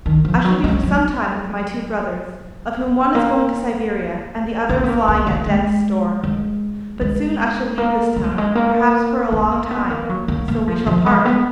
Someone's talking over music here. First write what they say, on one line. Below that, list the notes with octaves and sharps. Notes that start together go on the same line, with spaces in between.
I shall be for some time with my two brothers, of whom one is going to Siberia and the other is lying at death's door. But soon I shall leave this town, perhaps for a long time, so we shall part.
D#3
F3
F#3
G#3
F#3
A#3
A#3
B3
A#3
A#3
A#3
G#3
G#3
G#3
A#3
A#3
G#3
F#3
G#3
A#3
B3
A#3
B3
A#3
F#3
A#3
A#3
F3
F3
G#3
B3